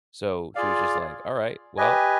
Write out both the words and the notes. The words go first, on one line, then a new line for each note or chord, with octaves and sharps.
So she was just, like, "Alright, well"
F4 G#4 D5 F5
G4 B4 D#5 G#5